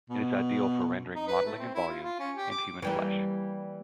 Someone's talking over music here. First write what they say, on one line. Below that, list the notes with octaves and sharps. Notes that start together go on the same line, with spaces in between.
It is ideal for rendering modeling and volume, and human flesh.
B2
D#4
B4
A3
C4
E4
F4
F4
C#4
G4
D6
E3 G3 A#3